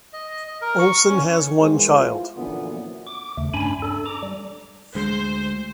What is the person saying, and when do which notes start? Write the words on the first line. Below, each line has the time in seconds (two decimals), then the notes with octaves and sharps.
Olson has one child.
0.13 D#5
0.48 D#5
0.61 A#4
0.79 C#6
1.09 C#4
1.60 E3 G#3 B3 G#4 A#4 C5
1.96 E4 F4
2.37 F#2 A#2 D3 E3 F3 B3
3.07 D6
3.37 D#2 C#3 A3
3.54 G2 C#4 D4 G#5 B5
3.82 D4 A4
4.06 A#5 D6
4.23 G3
4.95 D2 G#3 C5